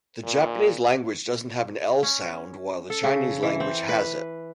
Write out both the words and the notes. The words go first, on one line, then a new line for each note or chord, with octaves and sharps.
The Japanese language doesn't have an L sound while the Chinese language has it.
A#2
C#4
A4
C#3
E3
C4
B4